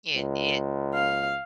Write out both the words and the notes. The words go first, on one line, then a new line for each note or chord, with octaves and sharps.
It it
C#2
F5